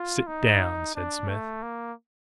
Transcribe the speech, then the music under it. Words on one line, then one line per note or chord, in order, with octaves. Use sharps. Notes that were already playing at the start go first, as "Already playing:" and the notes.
"Sit down!" said Smith.
Already playing: F4
D#4
D4
A3
A#3